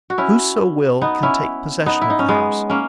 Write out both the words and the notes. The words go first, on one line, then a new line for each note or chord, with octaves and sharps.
Whoso will can take possession of the house.
F#4
C#4 E4
B3 D#4
C#4 E4
B3 D#4
E4
D#4
C#4
G#3 B3
A#3 C#4